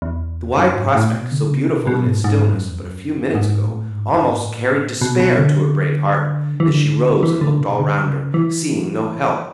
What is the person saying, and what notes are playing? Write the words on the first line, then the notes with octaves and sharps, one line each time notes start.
The wide prospect, so beautiful in its stillness but a few minutes ago, almost carried despair to her brave heart, as she rose and looked all round her, seeing no help.
E2
F#2
G#2
A2
B2
D3
C#3
B2
B2
G#2
G#2
F#2
E2
F#2
G#2
A2
G#2
F#2
G#2
A2
B2
B2
D3
E3
D3
E3
D3
B2
D3
C#3
E3